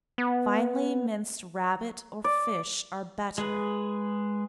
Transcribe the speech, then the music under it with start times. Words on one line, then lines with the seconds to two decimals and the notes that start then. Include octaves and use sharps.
Finely minced rabbit, or fish are better.
0.18 B3
2.24 D5
3.38 G#3 G#4 B4